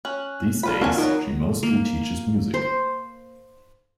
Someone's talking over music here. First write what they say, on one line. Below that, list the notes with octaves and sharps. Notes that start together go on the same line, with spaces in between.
These days, she mostly teaches music.
C#4 F#6
D4 F4 B4 B5
C3 A#3 D4 F#4 A4 C#5 G#5
D#3 F#3 B3
A#3
C5